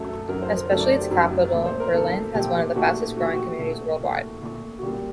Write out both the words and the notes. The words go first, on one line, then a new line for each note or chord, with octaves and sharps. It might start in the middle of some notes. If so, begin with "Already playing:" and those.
Especially its capital Berlin has one of the fastest growing communities worldwide.
Already playing: F#2 F#3 A3
A4
F#2 F#3 A3 A#4
C5
A#4
F#2 F#3 A3 A4
D5
C5
G4
F#2 F#3 A3
A#2 A3
C5
A#4
A#2 A3 A4
A#2 A3 G4
G4
A#2 A3 F#4
A#2 A3 F#4 G4
F#4
A#2 A3
A#2 A3
A#2 A3
F#4
A#2 G3 A#3 G4